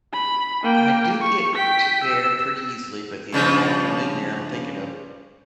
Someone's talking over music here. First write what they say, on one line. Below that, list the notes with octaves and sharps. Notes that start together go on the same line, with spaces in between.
I do get to there pretty easily, but then after I'm in there, I'm thinking of
B5
A#3 G5
C#6
G5 B6
E6
G2 C#3 F3